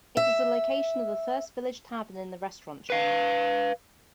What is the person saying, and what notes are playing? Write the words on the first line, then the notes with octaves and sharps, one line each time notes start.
It is the location of the first Village Tavern in the restaurant chain.
E5
B4 F5